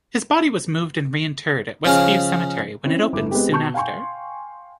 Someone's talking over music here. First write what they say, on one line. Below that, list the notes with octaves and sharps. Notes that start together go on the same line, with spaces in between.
His body was moved and reinterred at Westview Cemetery when it opened soon after.
C#3 F3 C#4 G#4 D#5 F5
C4 C#4 E4 E5
G1 E4 D6
G#3 B3 C4 G4
B2 A5 C#6 G6
F5 G5 G#5 C6 C#6